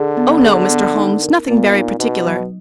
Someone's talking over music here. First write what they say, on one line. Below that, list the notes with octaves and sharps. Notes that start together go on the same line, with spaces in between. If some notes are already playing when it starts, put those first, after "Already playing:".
"Oh, no, Mr. Holmes--nothing very particular."
Already playing: D3 G#4
B3
G#4
B3
D#4
A#4
A#2 B3
D#4
B2 D#4
F#3